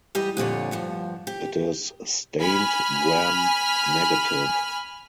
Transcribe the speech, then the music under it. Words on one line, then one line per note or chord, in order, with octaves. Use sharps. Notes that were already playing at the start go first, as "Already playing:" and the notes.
It is stained gram-negative.
E2 G3 G4 D#5
F2 A#2 D3 C#5
D2 G2 F3
G4
G#5 B5 F6